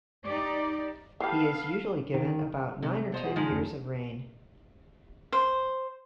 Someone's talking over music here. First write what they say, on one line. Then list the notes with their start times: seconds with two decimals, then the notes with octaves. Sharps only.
He is usually given about nine or ten years of reign.
0.24 D#4 G4 D5
1.20 E3 B3 G4 A4 F5
2.14 D#3
2.82 C3 G#3
3.12 B2 C5 D#5
3.24 F4 G#4 F#5
3.36 D#3 F3 G#3 D#4
3.49 F1 D2
5.32 C5